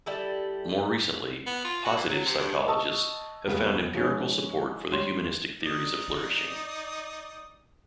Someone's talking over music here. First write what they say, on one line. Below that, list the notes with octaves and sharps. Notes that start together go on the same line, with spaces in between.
More recently, "positive" psychologists have found empirical support for the humanistic theories of flourishing.
G3 E4 A4
B3
F4
F#4
E3
F#3
C3
G2
D#5 A5 C#6 D#6 E6
E2 C#3 G3 A#3 B3
F3 G#3 C#4 D#4
G3 C#5 C6
D#4 D5 D#6